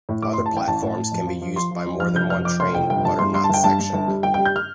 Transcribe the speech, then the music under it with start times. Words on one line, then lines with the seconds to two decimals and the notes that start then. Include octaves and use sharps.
Other platforms can be used by more than one train, but are not sectioned.
0.09 A2
0.22 A2 D6
0.33 C6
0.38 A2
0.46 A5
0.53 A1 G5
0.68 A1 A5
0.82 A2
0.97 A2
1.12 F2
1.27 F3
1.42 F3
1.56 F3 C6
1.71 F3
1.86 F2
2.00 F3 F6
2.15 F1 G6
2.30 F2 F6
2.45 F2 D6
2.60 F1 C6
2.74 F1 G5
2.90 G1 G5
3.05 G1 A5
3.19 G2 C6
3.33 G2 C6
3.44 A5
3.49 G1 G5
3.64 G2 A5
3.79 G2
3.93 G1
4.08 G3
4.23 G1 G5
4.34 G5
4.38 G3
4.45 G6
4.56 F6